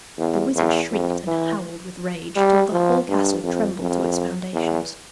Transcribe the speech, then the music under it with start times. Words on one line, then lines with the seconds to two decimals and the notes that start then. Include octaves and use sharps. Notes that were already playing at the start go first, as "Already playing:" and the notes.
The wizard shrieked and howled with rage, till the whole castle trembled to its foundations.
0.18 E2
0.55 E2
0.91 F2
1.27 E3
2.36 G3
2.72 F3
3.09 G2
3.44 F2
3.80 F2
4.53 E2